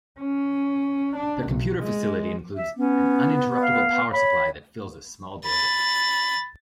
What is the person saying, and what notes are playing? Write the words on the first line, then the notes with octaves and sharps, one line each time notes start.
Their computer facility includes an uninterruptible power supply that fills a small building.
C#4
D4
B1
G#3
E5
B3 C#4
F5
C#5 B5
B5 A6